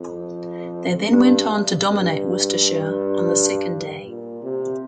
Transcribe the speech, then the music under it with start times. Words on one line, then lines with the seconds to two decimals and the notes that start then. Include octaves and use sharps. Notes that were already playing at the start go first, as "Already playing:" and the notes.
They then went on to dominate Worcestershire on the second day.
Already playing: F2
1.10 G2
1.84 G2
4.06 A#2
4.43 C3